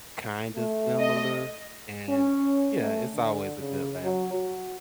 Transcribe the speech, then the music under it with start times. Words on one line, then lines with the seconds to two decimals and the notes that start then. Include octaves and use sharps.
kind of similar, and, yeah, it's always a good laugh,
0.56 A3
0.99 D#5
2.09 C#4
2.81 A3
3.14 D3
3.60 C#3
4.03 F#3
4.34 F#4